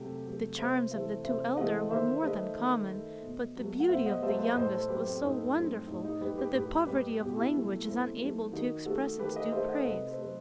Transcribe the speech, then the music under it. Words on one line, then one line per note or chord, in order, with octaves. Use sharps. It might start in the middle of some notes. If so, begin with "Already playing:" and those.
The charms of the two elder were more than common, but the beauty of the youngest was so wonderful that the poverty of language is unable to express its due praise.
Already playing: C3 F#3 A3 G4
F#3 A3
C3 C5 E5
E3 A3 C5 E5
C3 C5 E5
E3 A3 D#5 F#5
D#3 C5 E5
A3 B4 D#5
D#3
A3
B2
F#3 A3
F#5
B2 C5 E5
D#5 F#5
F#3 A3 C5 E5
C5 E5
D#5
A2 A4 C5
A4 C5
F#3 A3 G4 B4
C4
A2 D#4
F#3 A3 C4
A2 D#4
D#4
G3 G4 B4
G4 B4
A2 G4 B4
G3 G4 B4
B2 G4
F#4
E4 G4
F#3 A3
B2 C4 E4
F#3 A3 D#4
D#3 D#4 F#4
A3 F#4 A4
D#3 G4 B4
B4 D#5
A3 C5 E5
D#5 F#5
C3 B4 D#5
A4 C5
F#3 A3 C5